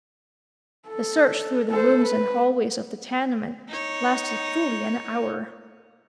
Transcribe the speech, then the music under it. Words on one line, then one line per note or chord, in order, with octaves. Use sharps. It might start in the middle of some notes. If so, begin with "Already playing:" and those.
The search through the rooms and hallways of the tenement lasted fully an hour.
A4
A4 C5
B4
D#4 C#5